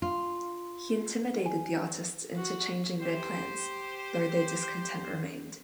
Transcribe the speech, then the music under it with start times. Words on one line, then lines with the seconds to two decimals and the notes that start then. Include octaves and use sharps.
He intimidated the artists into changing their plans, though their discontent remained.
0.02 F4
1.46 G#5
2.36 F#4
3.00 G4 C5